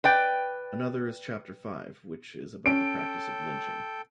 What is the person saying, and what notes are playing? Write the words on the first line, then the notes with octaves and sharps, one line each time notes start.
Another is chapter five, which is about the practice of lynching.
B4 D5 G5
C#4 A4 G5 D7